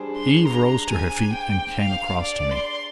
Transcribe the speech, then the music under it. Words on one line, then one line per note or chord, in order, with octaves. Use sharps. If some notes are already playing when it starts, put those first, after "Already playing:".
Eve rose to her feet and came across to me.
Already playing: G3 D4 G#4 C5
C6
A#5
G#5
G5
F5
D5
C6